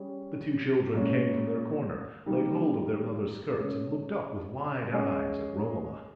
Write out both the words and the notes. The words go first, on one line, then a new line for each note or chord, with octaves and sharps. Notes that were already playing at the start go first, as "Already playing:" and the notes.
The two children came from their corner, laid hold of their mother's skirts, and looked up with wide eyes at Romola.
Already playing: G3 C#4 G#4
A#2 G#3 C#4
D#3 G3 A#3
C#3 G#3 C#4
G#3 C#4 G#4 D#5